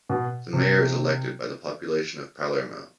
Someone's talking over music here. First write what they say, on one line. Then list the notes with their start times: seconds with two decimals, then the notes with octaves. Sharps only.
The Mayor is elected by the population of Palermo.
0.10 B2
0.53 C3